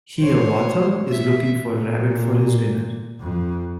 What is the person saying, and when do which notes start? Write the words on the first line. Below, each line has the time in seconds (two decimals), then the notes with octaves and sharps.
Hiawatha is looking for a rabbit for his dinner.
0.20 C5 C#5
1.08 E5
1.76 A#2
3.20 F2